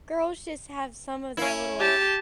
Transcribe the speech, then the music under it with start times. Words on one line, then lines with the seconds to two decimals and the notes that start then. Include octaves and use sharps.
girls just have some of their little
1.37 C#4 E4
1.79 G4 A5